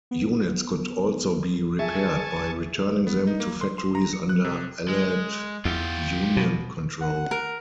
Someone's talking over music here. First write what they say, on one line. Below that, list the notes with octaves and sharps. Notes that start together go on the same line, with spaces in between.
Units could also be repaired by returning them to factories under Allied-Union control.
B3
G#4 E5 G#5 A5 C#6
B3
D#4
A#3
C6
C6
A#5
C#7
F#6
C3
G#3
E2 F4 G4
B2
F#5
A#4